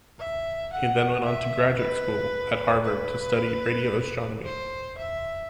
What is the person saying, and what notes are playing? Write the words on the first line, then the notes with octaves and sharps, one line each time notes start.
He then went on to graduate school at Harvard to study radio astronomy.
E5
F#5
E5
B4
B4
C5
E5